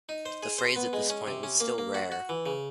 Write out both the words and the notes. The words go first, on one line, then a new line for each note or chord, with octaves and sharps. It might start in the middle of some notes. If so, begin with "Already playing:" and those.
The phrase at this point was still rare.
D#4
C5
G#4
C5
B3
G#3
C#4
C3
C#4
A#3
A#3
F#4
F#4
E3
C#3